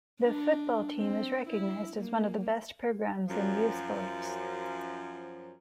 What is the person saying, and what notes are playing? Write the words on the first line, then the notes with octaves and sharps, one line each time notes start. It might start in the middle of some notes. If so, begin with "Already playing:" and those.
The football team is recognized as one of the best programs in U Sports.
D4
C4
E4
A#3
F#2 F3